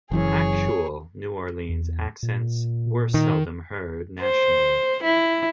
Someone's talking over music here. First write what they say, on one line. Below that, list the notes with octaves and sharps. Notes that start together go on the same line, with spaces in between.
Actual New Orleans accents were seldom heard nationally.
F#1 F#2 E3 G#4 C#5
E2
A#2
D#3
C5
E4